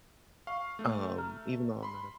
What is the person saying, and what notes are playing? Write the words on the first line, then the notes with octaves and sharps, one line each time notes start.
um, even though I'm not a
F5 C#6
A3
A#5 F6
B5 C6